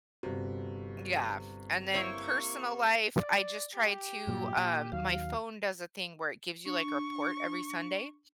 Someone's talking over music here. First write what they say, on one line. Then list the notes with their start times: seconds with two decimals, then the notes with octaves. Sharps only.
yeah, and then personal life, I just try to, um my phone does a thing where it gives you, like, a report every Sunday
0.23 G1 C3 F#4
1.94 A#3 E4 C5 C#5 C#6
3.18 D5
3.75 G4
4.27 G2 A#2 F#3
4.57 A#2
4.92 D#2 F#3 F5
6.66 D4 C#6